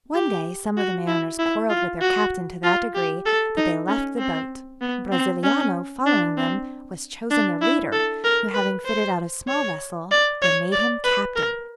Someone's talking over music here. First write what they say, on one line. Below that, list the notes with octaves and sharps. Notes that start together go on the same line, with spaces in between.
One day some of the mariners quarrelled with their captain to that degree, that they left the boat. Brasiliano following them, was chosen their leader, who having fitted out a small vessel, they made him captain.
G4
F#4
E4
E4
F4
F#4
F4
G4
A4
D#4
C#4
C4
B3
C4
C#4
D4
C4
D4
E4
A4
A#4
B4
C5
C#5
D5
C#5
D5
B4
A#4